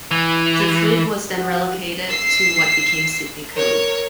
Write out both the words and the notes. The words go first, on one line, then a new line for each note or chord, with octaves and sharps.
The fleet was then relocated to what became Sydney Cove.
E3
F#4
E6 C7
A#4 C#5